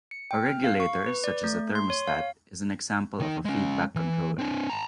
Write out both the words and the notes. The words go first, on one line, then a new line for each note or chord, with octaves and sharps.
A regulator such as a thermostat is an example of a feedback controller.
C#7
G5
F6
F5
C#6
B4
D5
A3
C6
C#5
F5
D#3 D#4
G#3 C#4
E3
C4 D4
A5 A#5